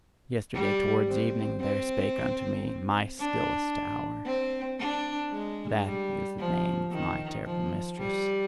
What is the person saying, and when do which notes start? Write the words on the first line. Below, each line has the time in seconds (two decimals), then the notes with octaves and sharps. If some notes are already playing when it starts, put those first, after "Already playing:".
Yesterday towards evening there spake unto me MY STILLEST HOUR: that is the name of my terrible mistress.
0.54 G3
1.07 C4
1.61 C4
3.20 D4
4.26 C4
4.79 D4
5.32 G#3
5.85 G3
6.39 F3
6.92 D#3
7.46 F3
7.99 G3